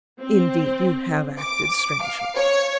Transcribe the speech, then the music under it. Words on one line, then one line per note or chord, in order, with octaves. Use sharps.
Indeed, you have acted strangely.
C4
D6
F5
C#5